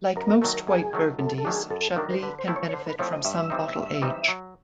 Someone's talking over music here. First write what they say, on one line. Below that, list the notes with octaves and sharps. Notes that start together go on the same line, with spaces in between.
Like most white Burgundies, Chablis can benefit from some bottle age.
F#2 A#4
D#3 F#3 A3 A#4
F#2 G#4
D#3 F#3 A3
F#2 A4
A4
D#3 F#3 A3 D4 G#4
F#2 A4
D#3 F#3 A3 D4 A#4
C5
D3 B4
C5
F3 A3 C4 E4
C#5
C#5
D3 C5
B4
F3 A3 C4 E4 C#5
D#5
G2 E5
E3 G3 C4 D#4
G2
E3 G3 C4 D#4
F#3